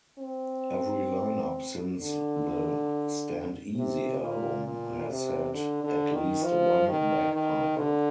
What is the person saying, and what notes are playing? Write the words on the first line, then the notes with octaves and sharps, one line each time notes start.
Every line-up since the "Stand Easy" album has had at least one bagpiper.
C4
D3
C3
A#2
A#2
C3
D3
D3
D#3
F3
D#3
D#3
D3